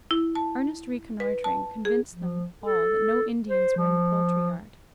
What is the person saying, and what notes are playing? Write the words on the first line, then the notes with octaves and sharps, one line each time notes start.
Earnest reconnoitring convinced them all that no Indians were in the poultry-yard.
E4
A5
B4
A5
G#4
F3
A4
C5
F3